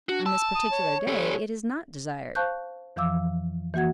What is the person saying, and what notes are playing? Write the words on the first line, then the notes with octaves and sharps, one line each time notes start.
On this particular day it is not desired.
D4 F#4
A5 E6
D#6
C#5
G3 A4
C5 F5 A5 C#6 F#6 G6
F2 E3 F3 F5 D6 E6
E3 A#3 F#4 F#5 G#6